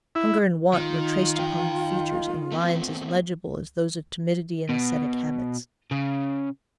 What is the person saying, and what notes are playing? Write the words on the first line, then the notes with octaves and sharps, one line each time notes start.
Hunger and want were traced upon her features in lines as legible as those of timidity and ascetic habits.
E4
D#3 F4
F5 G5
A3 B3 C4
B2
C#3